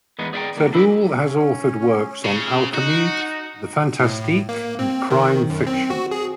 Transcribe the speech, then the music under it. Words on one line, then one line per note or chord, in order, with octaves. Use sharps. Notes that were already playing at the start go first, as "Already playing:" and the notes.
Sadoul has authored works on alchemy, the fantastique and crime fiction.
E2 G#3 B3 D#4
G#4 D5 E5 F#5 G5 A#5
D2 A#3
D4 E4 A#4 D5 E5
C#4
C#3
D#4 F#4
A2
A#3
C4
D#3
F#2
C4
F#4
G#4